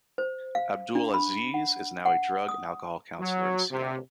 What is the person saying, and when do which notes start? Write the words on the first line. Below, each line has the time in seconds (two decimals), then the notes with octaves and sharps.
Abdul-Aziz is now a drug and alcohol counselor in Seattle.
0.18 C5
0.55 F5
0.95 D4
1.14 B5
1.54 F#5
2.06 F#5
2.48 D#6
3.20 F#3
3.71 C3